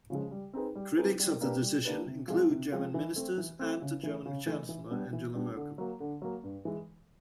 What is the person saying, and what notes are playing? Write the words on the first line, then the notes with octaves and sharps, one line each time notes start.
Critics of the decision include German Ministers and the German Chancellor Angela Merkel.
C#3 F3 G#3
G3
C4 D#4 G#4 B4
G3
C4 D#4 G#4 B4
G3
A#3 D4 G4 B4
G3
A#3 D4 G4 B4
C3
F3 G#3 C4 F4
C3
F3 G#3 C4 F4
E3
A3 C4
E3
A3 C4
C#3
E3 A3
C#3
E3 A3
E3
G3 B3 D4
E3
G3 B3 D4
D3
F#3 A#3
D3
F#3 A#3
G2
E3 G#3